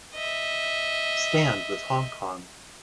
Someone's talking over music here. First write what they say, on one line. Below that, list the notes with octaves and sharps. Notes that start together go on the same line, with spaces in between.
Stand with Hong Kong.
D#5 E5